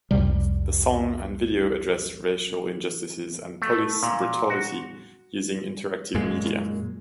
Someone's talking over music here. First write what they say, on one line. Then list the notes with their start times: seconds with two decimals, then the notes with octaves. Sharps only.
The song and video addressed racial injustices and police brutality using interactive media.
0.11 C2 F2 C3 G3
3.62 A3
4.03 A#2
4.50 F#4
6.15 F#2 A#2 G#3